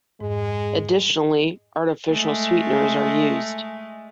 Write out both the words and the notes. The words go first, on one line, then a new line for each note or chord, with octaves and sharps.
Additionally, artificial sweeteners are used.
F2 G#2 G#3
G#3 A3